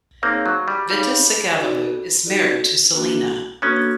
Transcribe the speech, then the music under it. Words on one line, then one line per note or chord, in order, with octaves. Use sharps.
Vitusagavulu is married to Silina.
A#3 C4 D#4 G#4 C#5 F5
F#3
G3
G3 D#4 G#4 C#5 F5
D#4 F#4 A4 D5
D#4 F#4 A4 D5
A#3 D4 F#4 A4
A#3 B3 C#4 D4 F#4 A4